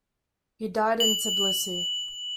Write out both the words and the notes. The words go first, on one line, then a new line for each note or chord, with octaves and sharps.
He died in Tblisi.
F#7